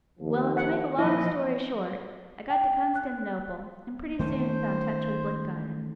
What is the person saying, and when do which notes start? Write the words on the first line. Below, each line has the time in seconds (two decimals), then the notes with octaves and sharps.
'Well, to make a long story short, I got to Constantinople, and pretty soon found touch with Blenkiron.
0.20 D#2 F3
0.57 F#5
0.99 A#2 F3 E4 D#5
2.50 G5
2.96 F#6
4.19 D#3 A3 C#4 C5